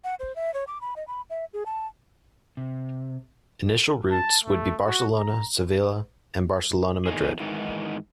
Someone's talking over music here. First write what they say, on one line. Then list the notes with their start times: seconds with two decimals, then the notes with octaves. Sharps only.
Initial routes would be Barcelona - Sevilla and Barcelona - Madrid.
0.04 F#5
0.20 C5
0.36 E5
0.54 C#5
0.67 D6
0.81 B5
0.96 D#5
1.08 B5
1.30 E5
1.53 G#4
1.66 A5
2.57 C3
4.11 A5
4.44 A3
4.86 F#4
5.18 A#5
7.06 E2 D#3 D#4 G#4
7.40 G#2 D#3 E3 D#4